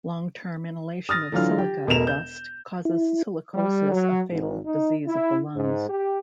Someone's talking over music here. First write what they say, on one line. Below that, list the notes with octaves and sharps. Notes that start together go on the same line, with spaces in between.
Long-term inhalation of silica dust causes silicosis, a fatal disease of the lungs.
D#6 F6 A6 A#6
D3 E3 F#3 F4 F6
G4
E1 B2 A3 A#4 E7 F7
G6
E4
G3
F#3
G#1
D#4
E4
G#2
G4